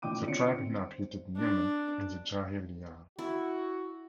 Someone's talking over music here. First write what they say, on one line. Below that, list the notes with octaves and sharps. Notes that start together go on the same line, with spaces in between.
The tribe inhabited Yemen in the Jahiliyyah.
A1 A#2 D#3 G5 D6 D#7
D3 C4 F4 C#5 C#7 D7
C4
C5
D4
E4 F#4